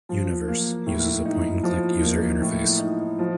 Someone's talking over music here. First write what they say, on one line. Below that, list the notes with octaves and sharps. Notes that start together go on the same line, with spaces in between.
"Universe" uses a point and click user interface.
F3
A#3
A2
D#4
F3
A#3
A2
D#4
F3